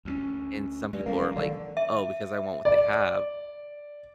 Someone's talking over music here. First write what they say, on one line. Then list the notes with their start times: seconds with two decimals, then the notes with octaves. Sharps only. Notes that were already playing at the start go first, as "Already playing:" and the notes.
And some people are like, "Oh, because I want what they have,
0.05 D2 G3 C#4
0.93 G2 G#3
1.06 F1 G3 A#3 C#4
1.36 D3 D#3 F#3
1.77 E5
2.65 D5